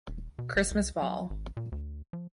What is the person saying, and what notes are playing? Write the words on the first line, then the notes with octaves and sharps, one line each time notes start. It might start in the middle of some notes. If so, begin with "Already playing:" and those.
Christmas Vol.
D#1
B2
G1
C2
F#3
G#1
A#2
D2
F3